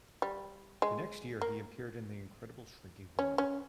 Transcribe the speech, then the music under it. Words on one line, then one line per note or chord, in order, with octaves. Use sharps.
The next year, he appeared in "The Incredible Shrinking Woman".
G3
G#3
A#3
C#4
C#4